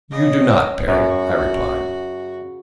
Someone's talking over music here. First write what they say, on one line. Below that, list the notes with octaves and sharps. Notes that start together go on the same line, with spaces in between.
"You do not, Perry," I replied.
C#3 D#5 D6
F#2 C#3 F#4